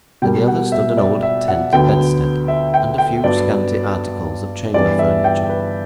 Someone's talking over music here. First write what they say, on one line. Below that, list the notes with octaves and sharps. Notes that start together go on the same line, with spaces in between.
In the other stood an old tent bedstead, and a few scanty articles of chamber furniture.
B2 G3 A#3 G5
F#5
E5
D5
E5
F#5
D2 D3 F#3 B3 G5
E5
G5
G5
G2 F#3 B3 D5
G2 E3 G3 B3 D5
E5
G5
B4